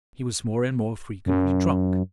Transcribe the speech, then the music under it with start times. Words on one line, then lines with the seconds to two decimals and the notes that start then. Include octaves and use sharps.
He was more and more frequently drunk.
1.26 F#2